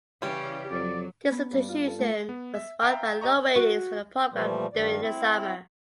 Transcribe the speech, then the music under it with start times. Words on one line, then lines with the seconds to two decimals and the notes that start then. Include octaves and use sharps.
This substitution was marked by low ratings for the program during the summer.
0.22 C#3 E3 G3 C#4 G4
0.71 F2 F#3 D5
1.32 B3
1.53 G2
1.69 F4
1.87 A4
1.99 A3
2.29 B3
2.55 E5
2.82 E5 F5 G5 A#5 G6
3.21 G4 D#5 A#5 C#6
3.56 F#4
4.33 A#2 E3 F3 G3 A3
4.73 G2 D#3 D5
5.01 C4 E4